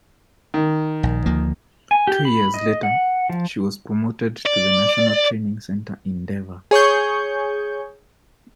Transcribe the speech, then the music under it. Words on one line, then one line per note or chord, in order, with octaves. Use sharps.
Two years later, she was promoted to the national training center in Deva.
D#3
A#1
D2 F3 A#3
G#5
G4
B5
D#5
F#5
F3
D5
G#4 C#5 C#6 G6